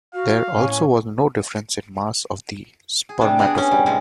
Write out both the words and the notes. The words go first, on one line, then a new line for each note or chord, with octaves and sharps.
There also was no difference in mass of the spermatophore.
F#4 F5
A2 C#4 G#5
G#4
C3 G3 D4
B3 F#4 G#4 D5
C#4
G3
A2 C3 G#3 C#4